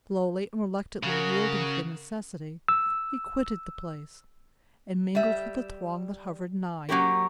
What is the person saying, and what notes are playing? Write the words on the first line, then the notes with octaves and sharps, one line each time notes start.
Slowly and reluctantly yielding to the necessity, he quitted the place, and mingled with the throng that hovered nigh.
C#3 F#4 A#4
E6
G3 E5
F#3 A#3 C#4 G4 A#4